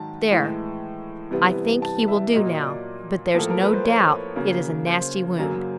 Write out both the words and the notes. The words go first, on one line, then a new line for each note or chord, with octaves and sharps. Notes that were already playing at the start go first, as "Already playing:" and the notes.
There; I think he will do now; but there's no doubt it is a nasty wound.
Already playing: G#2 D#3 F#3 A5
A2 E3 G#3
C3 E3 G3 B3
A5
E5
A#2 F#3 A#3 D#5
D5
A2 F3 A#3 A4
A#4
B4
C5
C#5
C#3 F#3 A#3
C5
F#2 C#3 F#3 A#3